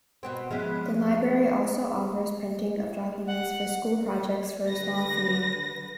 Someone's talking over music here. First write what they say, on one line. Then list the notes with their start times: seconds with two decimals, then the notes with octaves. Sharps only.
The library also offers printing of documents for school projects for a small fee.
0.23 B2 B3 C4
0.51 F3 G#3 B3 C#4 E4
3.27 F#5
4.68 D3 B4 A#6